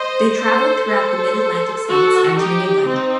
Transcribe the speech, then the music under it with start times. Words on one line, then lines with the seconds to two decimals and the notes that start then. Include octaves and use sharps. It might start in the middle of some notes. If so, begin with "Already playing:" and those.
They traveled throughout the Mid-Atlantic states and New England.
Already playing: C5 D#5
0.38 A4 C5
0.88 A4 C5
1.88 F#4 A4
2.38 D#4 G4
2.88 C4 D#4